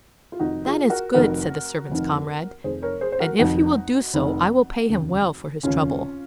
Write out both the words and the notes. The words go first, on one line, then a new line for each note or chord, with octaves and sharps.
"That is good," said the servant's comrade, "and if he will do so I will pay him well for his trouble."
F4
F1 F2 D#3 D#4 F#4
F4 G#4
F#4 A#4
F1 F2 D#3 F#4 A#4
F1 F2 D#3
F1 F2 D#3 G#4 C5
A#4 C#5
G#4 C5
C5
F#4 A#4
F1 F2 D#3 D#4 F#4
F1 F2 D#3
F1 D#2 C#3
F1 D#2 C#3 C#4 F4